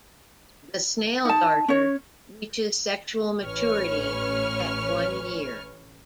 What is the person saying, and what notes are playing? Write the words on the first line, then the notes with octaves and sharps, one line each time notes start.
The snail darter reaches sexual maturity at one year.
D#4 A5
C#4 C#5
A1 C#4 B4 C#5 C#6 F6